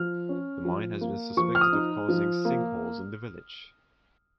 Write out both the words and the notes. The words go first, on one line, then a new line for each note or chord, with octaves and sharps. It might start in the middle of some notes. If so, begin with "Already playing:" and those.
The mine has been suspected of causing sinkholes in the village.
Already playing: F3 F6
C#4
F3
A#3
F3 C#6
F6
D#6
D#4
F3
A#3